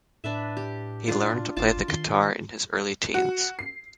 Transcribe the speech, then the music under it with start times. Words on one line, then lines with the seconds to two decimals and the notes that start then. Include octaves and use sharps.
He learned to play the guitar in his early teens.
0.24 A2 D4 B4 E5
0.57 G4
1.08 D4 F4
1.57 G1 F4 A5 D6
1.88 D#3 C6
3.14 F#4
3.59 C7